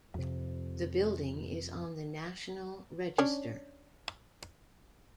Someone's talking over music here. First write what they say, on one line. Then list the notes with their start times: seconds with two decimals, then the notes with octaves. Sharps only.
The building is on the National Register.
0.14 F2 C3
3.18 C#4 D4 C#5